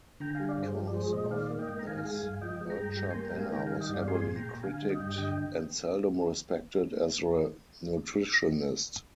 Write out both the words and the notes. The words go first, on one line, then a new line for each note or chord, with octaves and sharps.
Because of this, Bircher-Benner was heavily critiqued and seldom respected as a nutritionist.
D3 G5 A#5
G3 F5 G#5
D5 F5
G2 G#4 C5
F3
D5
G#3 G#4 C5
A#2 C5 D#5
D#3 D5 F5
A#3
D#5 G5
G#2
A#5
D#3 F5 G#5
G#3
F5 G#5
G2
F3 D#5 G5
G#3
G5 A#5
G2
G3 G5 A#5
G#5 C6
A#3
G5 A#5
G#2 F5 G#5
D#3 G5 A#5
F5 G#5
G3
D#5 G5
G2 D5 F5
G#3 G#5 C6
A#2
G5 A#5
A#2
D3 F5 G#5
G3
D#5 G5
G2
D3 D#5 G5